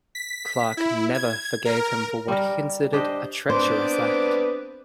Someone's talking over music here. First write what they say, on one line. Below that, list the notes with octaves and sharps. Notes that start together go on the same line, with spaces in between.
Clarke never forgave him for what he considered a treasonous act.
B6
E4
G#6
A#4
G3 A#4
D4 G4 C5 D#5
B3 C4 D4 B4 C5 D6